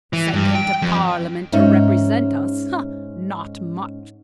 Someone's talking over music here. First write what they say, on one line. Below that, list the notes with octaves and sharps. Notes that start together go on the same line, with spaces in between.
Send him to Parliament to represent us--not much!
E3
G2
G5
F2
G#2 C#4 D#4 E5